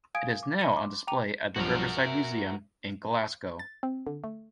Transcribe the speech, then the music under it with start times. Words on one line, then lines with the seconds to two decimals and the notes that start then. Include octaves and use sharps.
It is now on display at the Riverside Museum in Glasgow.
0.15 F5 G#5 D#6 G#6 D7
0.43 D6
0.60 B5 A#6 C#7 D#7
0.73 C6 D6
1.07 G5 A#5 D6 D#7 F7
1.56 B1 G2 F3 F#4 A#4
2.07 E5
3.59 A6
3.83 C4
4.07 D3
4.24 A3